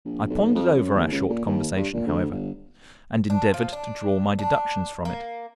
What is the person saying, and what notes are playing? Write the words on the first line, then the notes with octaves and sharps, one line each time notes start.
I pondered over our short conversation, however, and endeavoured to draw my deductions from it.
A#1
B1
F2
F#2
D#2
C#2
A#2
D#2
G2
A#2
D2
G1
D4
F3
D4
D4
A#3